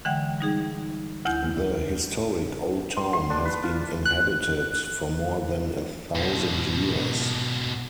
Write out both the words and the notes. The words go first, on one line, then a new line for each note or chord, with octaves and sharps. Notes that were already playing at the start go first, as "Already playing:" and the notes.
The historic old town has been inhabited for more than a thousand years.
D3 E3 G#3 F#5 G5
G3 D#4 G#4
D2 E4 G#5 G6
C6
C6
D4
B4
F4
F#6
G#2 B2